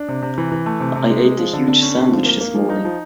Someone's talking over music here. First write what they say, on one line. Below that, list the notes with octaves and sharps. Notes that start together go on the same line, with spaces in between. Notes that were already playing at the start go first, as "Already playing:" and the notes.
I ate a huge sandwich this morning.
Already playing: D4
C3
C3
E3
E3
A3
C3
C3
G#3
G#3
F3
D3
D3
C#4
D3
F3
A#3
A#3
F3
D#4
F3